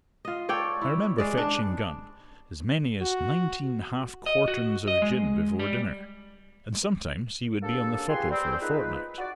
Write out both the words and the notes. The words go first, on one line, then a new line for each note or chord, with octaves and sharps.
I remember fetching Gun as many as nineteen half quarterns of gin before dinner, and sometimes he would be on the fuddle for a fortnight.
F4 D#5
A4 C#5 D5 G5
E4
G#3 D5
D4
F#4
D#5
F#4
D#5
G#3
G3
C#3 A#3 D4 G4 A4
F4 G4 G#4 B4 G#5 C6
G3 C4
A#3 D#4 F4 G#4 B4
F#4 D5